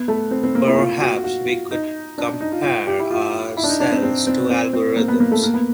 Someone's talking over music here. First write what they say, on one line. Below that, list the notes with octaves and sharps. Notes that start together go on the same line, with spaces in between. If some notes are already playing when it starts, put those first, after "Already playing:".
Perhaps we could compare our cells to algorithms.
Already playing: B3
A3
C4
C4
A#3
E4
F4
F#4
F#4
F4
D#4
D4
D#4
F4
F4
G4
E4
F4
E4
D4
D#4
D4
C4
C4
C4
C4
C4
A#3
B3
A#3
A3
A#3
B3